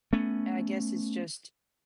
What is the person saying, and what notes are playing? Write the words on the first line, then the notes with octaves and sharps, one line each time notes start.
I guess it's just
A3 B3 C#4